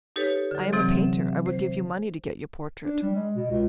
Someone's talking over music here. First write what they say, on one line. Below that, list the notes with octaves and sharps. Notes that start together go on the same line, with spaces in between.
"I am a painter: I would give you money to get your portrait."
D#4 G4 A4 B4 C#5
D3 F#3
C3 E3 F#3 C4
E5
C5
D4
G3
G#3
B2
C#2